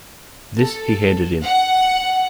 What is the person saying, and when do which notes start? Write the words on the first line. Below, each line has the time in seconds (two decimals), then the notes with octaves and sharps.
This he handed in.
0.60 A4
1.43 F#5